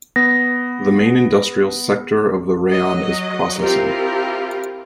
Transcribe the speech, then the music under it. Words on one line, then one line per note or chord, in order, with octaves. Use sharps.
The main industrial sector of the rayon is processing.
B3 A#6
F#3 D#5
C4 E4 F4 G4 A#4